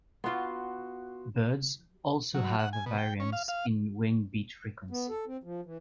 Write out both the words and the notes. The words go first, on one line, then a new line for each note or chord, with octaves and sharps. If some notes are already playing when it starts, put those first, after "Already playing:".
Birds also have a variance in wing beat frequency.
B3 F4 F#4 C6
F#3
F#5
G#5
B2
G5
C#4
F5
F5
B3
A4
C4
F3
E3